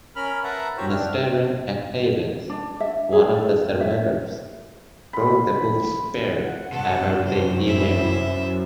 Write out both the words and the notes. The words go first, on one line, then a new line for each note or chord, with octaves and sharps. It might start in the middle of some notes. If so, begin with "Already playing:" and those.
Nastaran Akhavan, one of the survivors, wrote the book "Spared" about the event.
C#4 A#4 B5 F6
A#4 B4 E5 F#5 A5 A#5
E4 F#4 G4 C5 C#5
C4 D4 F6
D4
E5
G#4
A4
E5
B5 C6
F#5
G2 C3 A4
F#2 C5
E4 C5 E5